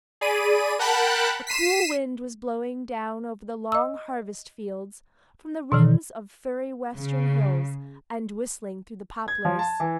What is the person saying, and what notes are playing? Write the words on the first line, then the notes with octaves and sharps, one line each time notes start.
A cool wind was blowing down over the long harvest fields from the rims of firry western hills and whistling through the poplars.
G#4 D5 B5 D#7
A#4 F#5 G5 A5 B5 F#6
B6 C7 D#7 E7
D#5 E6
B2 D#3 E3
C#3
G#6
F3
A5
E3